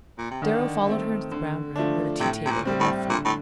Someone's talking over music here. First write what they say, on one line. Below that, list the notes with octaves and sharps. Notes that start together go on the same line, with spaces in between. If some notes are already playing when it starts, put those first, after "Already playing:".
Darrow followed her into the brown room, where the tea-table had been left for him.
A#2
C3
D3 D#3
A3 C4
D3
F3 A3 D4
A2 C3
C3
A#2
G3 C4
A2
A#2 D3
A2